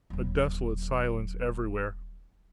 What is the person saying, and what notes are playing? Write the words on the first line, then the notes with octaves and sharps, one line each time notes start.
A desolate silence everywhere.
D#1 F#3